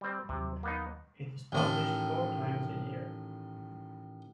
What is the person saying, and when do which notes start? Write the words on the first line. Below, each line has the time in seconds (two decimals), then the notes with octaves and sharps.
It is published four times a year.
0.01 G3 C4
0.29 D#2 C3 F#3
0.63 A#3 B3 D#4
1.52 A1 D#3 A4